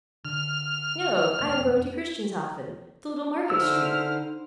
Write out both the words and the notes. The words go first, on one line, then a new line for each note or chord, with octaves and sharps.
"No, I am going to Christianshafen, to Little Market Street."
D3 F6
E1 F2 A#3
D3 D#4 E4 C5 E6 F6